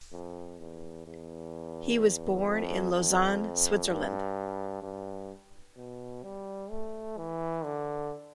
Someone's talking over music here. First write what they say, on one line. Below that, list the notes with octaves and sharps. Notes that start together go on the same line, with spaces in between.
He was born in Lausanne, Switzerland.
F2
E2
E2
F2
F2
G2
G2
B2
G3
A3
E3
D3